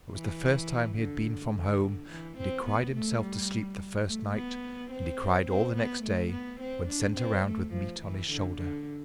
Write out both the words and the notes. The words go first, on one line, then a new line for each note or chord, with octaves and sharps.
It was the first time he had been from home, and he cried himself to sleep the first night, and he cried all the next day when sent around with meat on his shoulder.
E3
D3
D3
E3
C4
B3
A3
G3
A3
B3
C4
C4
B3
A3
B3
C4
D4
C4
A3
F3
E3
D3
D3